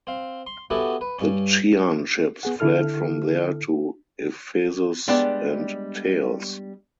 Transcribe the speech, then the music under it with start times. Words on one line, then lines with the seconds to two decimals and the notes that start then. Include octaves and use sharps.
The Chian ships fled from there to Ephesus and Teos.
0.07 C4 F5
0.47 C6
0.70 B3 C#4 E4 F#4 G4 A4
1.01 B4
1.19 G2 C#4
2.43 B3 G#4 F#5
2.60 D3 E4 A4 F6
5.08 G3 G#3 B3 D4 D5 G5